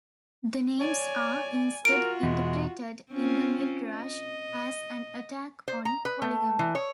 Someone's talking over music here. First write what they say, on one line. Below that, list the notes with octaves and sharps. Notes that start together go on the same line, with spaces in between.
The names are instead interpreted in the Midrash as an attack on polygamy.
C#5 D5 G#5
F4 F#4 A#4 D7
E2 B2 G#3
C4 C#4 F4
D#5
C5
A#5
B4
A3
E3
C#5